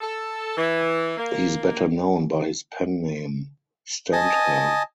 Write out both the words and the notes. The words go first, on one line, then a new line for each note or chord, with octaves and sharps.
He is better known by his pen name Stendhal.
A4
E3
A#3
A#3
D#5 G#5 A5 D#6